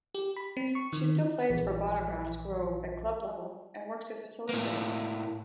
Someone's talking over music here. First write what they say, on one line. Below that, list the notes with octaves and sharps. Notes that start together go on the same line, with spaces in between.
She still plays for Bonagrass Grove at club level and works as a solicitor.
G4
B5
C4
C#6
D#3
A#1 E3
A2 A#3